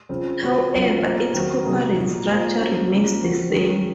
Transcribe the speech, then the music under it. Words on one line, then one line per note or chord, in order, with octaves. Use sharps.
However, its corporate structure remains the same.
C#3 F3 C4
F3 C4 F#4 C5
F#3 C#4 F4 A#4 C#5
A#3 F4 C5
D#3 F#3 C4 F#4 A#4
C3 F#3 A#3 D#4 G#4
A#2 F#3 A#3 D#4
A#3 F4 G#4 C5
A#3 C#4 F#4 C5
C#3 F3 A#3
F3 C4 F#4 A#4
D#3 G#3 C#4 G#4